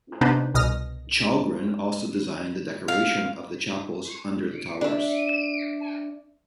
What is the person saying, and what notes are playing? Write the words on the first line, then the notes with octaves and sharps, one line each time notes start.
Chalgrin also designed the decoration of the chapels under the towers.
C3 B3 D4 D#4 B4 C5
C2 B2 D#6 F6 A#6
F5
D4 E5